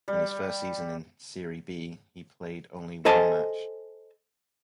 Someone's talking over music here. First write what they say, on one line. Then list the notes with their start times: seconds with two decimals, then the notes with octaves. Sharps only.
In his first season in Serie B, he played only one match.
0.08 G3
3.05 A4 C5 D#5 G#5 A5